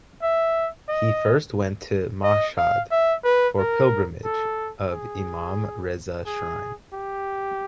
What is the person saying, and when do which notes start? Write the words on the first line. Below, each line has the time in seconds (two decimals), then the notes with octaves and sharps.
He first went to Mashhad for pilgrimage of Imam Reza Shrine.
0.23 E5
0.89 D#5
2.24 D#5
2.58 F5
2.91 E5
3.24 B4
3.58 A#4
4.24 A4
4.92 G#4
6.26 G#4
6.93 G4